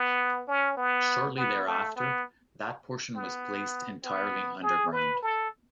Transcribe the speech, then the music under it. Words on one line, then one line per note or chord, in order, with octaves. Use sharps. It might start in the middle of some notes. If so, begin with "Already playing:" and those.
Shortly thereafter, that portion was placed entirely underground.
Already playing: B3
C#4
B3
B3
A3
B3
B3
B3
G#4
B4
A4